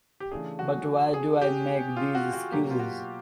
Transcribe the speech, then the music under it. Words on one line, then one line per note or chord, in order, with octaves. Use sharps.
But why do I make these excuses?
G4
C#3 E3 A3 D4 G#4
F#4
G#4
G4
F4
F#4
F#4
B2 F#3 A#3 G4
F4
F#4